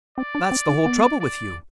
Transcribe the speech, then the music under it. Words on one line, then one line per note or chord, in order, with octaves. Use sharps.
That's the whole trouble with you!
C4 D5
D4
C4
D4
B3
D5